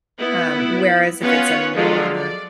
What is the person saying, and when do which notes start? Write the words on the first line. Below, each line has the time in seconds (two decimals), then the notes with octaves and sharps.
um, whereas if it's a more,
0.19 B3 E4
1.21 B3 C#4 F4 B4 C#5 F#5
1.75 F3 F#3 G#3 F4 A4
2.16 D5